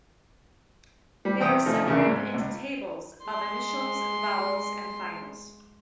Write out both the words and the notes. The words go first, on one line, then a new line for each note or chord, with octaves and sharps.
They are separated into tables of initials, vowels and finals.
G3
E2 C4 G5 D#6
F3 A3 D#4
E2 C#3 E4 A#4
G#2
C#2
G#3 C6